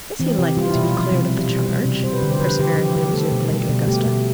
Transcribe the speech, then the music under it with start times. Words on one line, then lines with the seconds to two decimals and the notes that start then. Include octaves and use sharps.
"Is he likely to be cleared of the charge?" perseveringly resumed Lady Augusta.
0.20 E3 C4
0.38 C3 G4
0.57 G3 F4
0.70 E4
0.75 B2
0.83 F4
0.94 F3
1.12 C3
1.30 G3
1.48 B2
1.67 G3
1.85 C3
2.03 G3 C5
2.13 B4
2.22 D3 G4
2.32 C5
2.40 F3 B4
2.59 D3 G4
2.77 F3 G4
2.96 D3 G4
3.13 A3 A4
3.32 B2
3.51 G3
3.69 B2
3.87 A3 G4
4.00 G4
4.06 B2